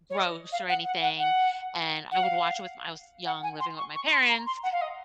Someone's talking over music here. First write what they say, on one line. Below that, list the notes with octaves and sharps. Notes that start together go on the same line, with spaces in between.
gross or anything and I would watch it with my I was young living with my parents
C#5
D#5
F5
F#5
F#5
F#5
F#5
F#5
F5
F#5
G#5
C6
C#6
C#6
C6
A#5
C6
F#5
F5
D#5